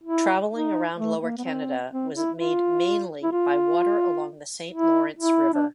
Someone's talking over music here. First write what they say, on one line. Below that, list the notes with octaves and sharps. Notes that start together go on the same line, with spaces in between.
Traveling around Lower Canada was made mainly by water along the Saint Lawrence River.
E4
D#4
A3
A#3
B3
C4
C4
E4
F4
E4
F4
E4
E4
D4